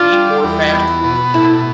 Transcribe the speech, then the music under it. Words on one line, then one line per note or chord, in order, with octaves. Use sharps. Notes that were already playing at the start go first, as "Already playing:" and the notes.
eat more fast food,
Already playing: D4 F4
G3
E2
B3
B2
A2 E4